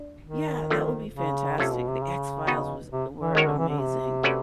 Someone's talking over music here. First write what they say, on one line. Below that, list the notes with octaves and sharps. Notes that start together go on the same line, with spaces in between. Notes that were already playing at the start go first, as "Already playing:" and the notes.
Yeah, that would be fantastic. The X-Files was were amazing,
Already playing: D4
D#3
D3 F3 A3 C4
C#3
C3 A3 C#4 F4 A4
B2
C3
C#3
B3 D#4 F#4 B4 D#5
C3
E3
D#3 G#3 C#4 F#4 A#4 C#5
D3
E3
D3
C3
A3 C#4 F#4 B4 D5